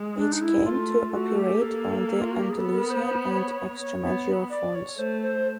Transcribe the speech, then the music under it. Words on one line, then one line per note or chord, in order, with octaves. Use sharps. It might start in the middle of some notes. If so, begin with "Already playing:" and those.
It came to operate on the Andalusian and Extremadura fronts.
Already playing: G#3
D4
D#4
E4
A3 F4
A3 F#4
G4
A#3 A4
F4
F#4
G4
G#4
B3 A4
A#4
C5
C5
C#5
C#5
B3
D5
C#5
A3 C5
C5